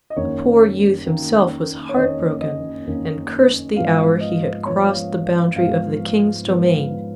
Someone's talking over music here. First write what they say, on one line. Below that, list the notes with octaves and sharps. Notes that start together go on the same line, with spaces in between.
The poor youth himself was heart-broken, and cursed the hour he had crossed the boundary of the King's domain.
D#5
F#1 F#2 D#3 A#3 C#4 C#5
F#1 F#2 D#3 A#3 C#4
C#5
F#1 F#2 D#3 A#3 C#4 D#5
D#5
F#1 F#2 D#3 A#3 C#4
G#2 F3 B3 F5
D#5
G#2 F3 B3 C#5
F5
G#2 F3 B3 F5
G#2 F3 B3